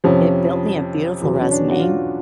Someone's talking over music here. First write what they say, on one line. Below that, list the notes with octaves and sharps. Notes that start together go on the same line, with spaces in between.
it built me a beautiful resume.
F2 C3 F3 C#4
E2 B2 F#3
C#4
D4
F#4
F4